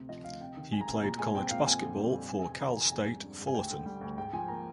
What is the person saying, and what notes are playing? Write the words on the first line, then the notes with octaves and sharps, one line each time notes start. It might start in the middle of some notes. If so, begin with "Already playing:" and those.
He played college basketball for Cal State Fullerton.
Already playing: D2 C3
F3 D#5
D2 F5
C3 G5
D#3
G#3 G#5
A#5
C3 G#5
A#2 A#5
G#3 G#5
C4 G5
A#2 F5
F2 G#5
D3
G3
F2
F2 G#5
G#5
C3
G#5
D#3 A#5
F2 G#5
G#2 G#5
G3
D4
G#2
G#5
D2 G5
D3
G3
D2
G#2 G5
F3 G#5
A#3 A#5